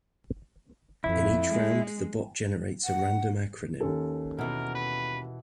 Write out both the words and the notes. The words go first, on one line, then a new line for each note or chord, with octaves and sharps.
In each round, the bot generates a random acronym.
F2 E4
G#3
F#5
D#2 C#4 A4
B2 E3 A#4
B4